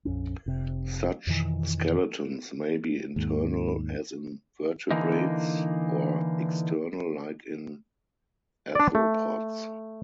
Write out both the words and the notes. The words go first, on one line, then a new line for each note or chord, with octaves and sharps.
Such skeletons may be internal, as in vertebrates, or external, like in arthropods.
A#1 F2 C#4
F1 C3
F2 B2 D#3 E3
D#2 G#2
D3 E3 A#3 D#4
D4 D5
A3